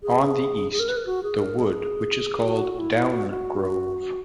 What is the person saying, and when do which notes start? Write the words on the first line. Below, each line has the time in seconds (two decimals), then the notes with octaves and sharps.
On the east: the wood which is called down-grove.
0.03 G#4
0.72 G#4
0.80 A#4
0.89 B4
0.97 A#4
1.06 F#4
1.23 G#4
1.41 A#4
1.58 G#4
2.44 F#4
2.79 E4
3.13 F#4
3.30 F#4